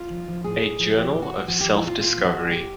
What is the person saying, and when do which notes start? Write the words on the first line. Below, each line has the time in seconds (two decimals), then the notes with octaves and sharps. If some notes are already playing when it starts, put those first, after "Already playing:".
A Journal of Self-Discovery.
Already playing: F4
0.10 F3
0.28 F3
0.44 A2 G#4
0.61 A2
0.79 F3
0.96 F3 G4
1.14 A#2
1.22 F#4
1.31 A#2
1.48 F3 F#4
1.60 F3 G4
1.73 E4
1.82 A#2 F4
1.99 A#2 F4
2.17 F3
2.25 F#4
2.33 F3
2.51 A#2 G4